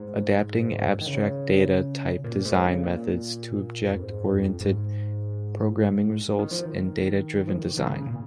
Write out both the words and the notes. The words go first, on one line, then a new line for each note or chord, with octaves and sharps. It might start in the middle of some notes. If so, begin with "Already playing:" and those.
Adapting abstract data type design methods to object-oriented programming results in a data-driven design.
Already playing: G#2
D#3
C#3
A#2
G#2
C#3
A#2
F2
G#2
F2
G#2
D#3
F3
D#3
F3
D#3
D#3
C#3
A#2